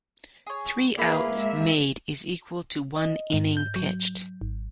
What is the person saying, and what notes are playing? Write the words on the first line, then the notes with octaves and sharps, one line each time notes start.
Three outs made is equal to one inning pitched.
G#4 C#5
A#3 E4 G#4 B4 A5 B5
G#3 E5
D#5
G#2
G6
F#3
G#1